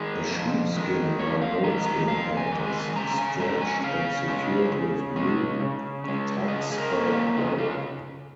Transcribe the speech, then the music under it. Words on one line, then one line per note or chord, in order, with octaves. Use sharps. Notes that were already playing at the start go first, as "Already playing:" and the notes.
A sheepskin or goatskin head is stretched and secured with glue, tacks or both.
Already playing: D#3 G#3 G#4
F2
D#3 G#3
F2 C#5
F5
D#3 G#3 A#5
A#5
F2 F5
G#5
D#3 G#3
G#5
C#3 A#5
G#5
G#3 C#4 A#5
G#5
C#3 F5
G#3 C#4
C#3
G#3 C#4
C#3
G#3 C#4
C#3 D#5
G#4
A#4
A#3 C#4
F4
C#3 D#4
F4